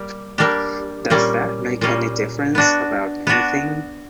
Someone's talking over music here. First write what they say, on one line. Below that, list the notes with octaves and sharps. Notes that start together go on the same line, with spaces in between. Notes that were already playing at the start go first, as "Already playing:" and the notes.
Does that make any difference about anything?
Already playing: G3 A#3 G4
G3 A#3 D4 G4
A#2 G3 A#3 C#4
A#2 G3 A#3 C#4
B3 D4 F#4
B3 D4 F#4